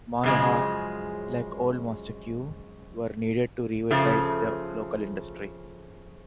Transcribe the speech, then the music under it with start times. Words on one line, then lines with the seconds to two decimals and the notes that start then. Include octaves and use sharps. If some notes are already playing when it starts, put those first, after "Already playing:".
Manhua like "Old Master Q" were needed to revitalize the local industry.
0.23 F#2 C#3 F3 G#3
3.91 C#3 F3 A3